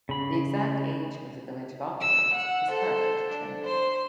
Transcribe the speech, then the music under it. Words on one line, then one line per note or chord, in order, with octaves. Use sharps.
The exact age of the village of Opperdoes is hard to determine.
C#3 B5
E6
F#5
A4 C5
D4
C5 C6